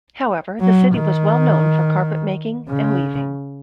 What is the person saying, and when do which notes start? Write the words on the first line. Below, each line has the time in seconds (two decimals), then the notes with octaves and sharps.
However, the city was well known for carpet making and weaving.
0.60 F#3
0.95 D#3
2.69 C#3